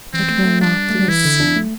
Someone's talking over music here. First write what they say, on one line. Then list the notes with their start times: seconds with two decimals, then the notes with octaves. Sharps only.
"It will not listen!"
0.14 E3 C4
0.30 A3
0.45 A3
0.61 G3 D4
0.90 A3
1.00 G3
1.08 E3 E4
1.25 D3
1.40 D4
1.56 A3